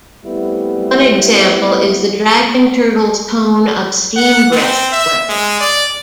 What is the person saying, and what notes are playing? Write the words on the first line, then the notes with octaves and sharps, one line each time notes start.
One example is the dragon turtle's cone of steam breath weapon.
G3 A3 B3 C4 E4
F#5
C4
E5
G#3
D5